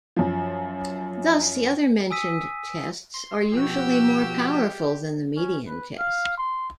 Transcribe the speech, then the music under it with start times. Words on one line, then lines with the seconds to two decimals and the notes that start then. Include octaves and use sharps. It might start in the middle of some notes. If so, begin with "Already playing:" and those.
Thus the other mentioned tests are usually more powerful than the median test.
0.16 F#2 F3
2.11 G#5 D#6 E6 B6 D#7
3.14 C6
3.53 B2 F3 F#4 G4 E6
5.36 C#4
5.67 B4
5.99 F5
6.37 C6